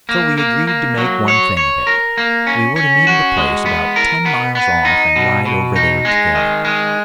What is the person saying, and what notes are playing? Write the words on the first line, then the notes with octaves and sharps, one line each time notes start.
So we agreed to make one thing of it. We were to meet at a place about ten miles off and ride over there together.
A#3
A#3
A#3
F#3
C#5
C#5
A#4
A#3
C#4
C#4
F#4
G#3
B3
A#4
B3
B3
D#4
B2
B2
D#4
G#3
D#3
G#3